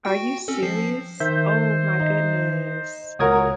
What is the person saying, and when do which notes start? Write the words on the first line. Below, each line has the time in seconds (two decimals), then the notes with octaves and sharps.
Are you serious? Oh, my goodness.
0.05 F#4 G5
0.48 C4 C#4 A4
0.63 F3 C7
1.20 D#3 C5 E5 G6
2.00 D#4
3.19 C#2 F#4 A#4 C#5 D#6 G#6